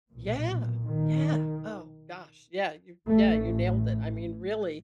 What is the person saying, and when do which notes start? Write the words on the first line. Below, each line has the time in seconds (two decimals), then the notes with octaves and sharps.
Yeah. Yeah. Oh gosh, yeah, you yeah, you nailed it. I mean, really,
0.11 B1 A#2
0.85 D#3
3.08 A1 A2 A3